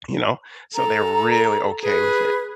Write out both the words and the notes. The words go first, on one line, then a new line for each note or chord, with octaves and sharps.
you know? So they're really okay with it;
A4 A#5
G#4 B4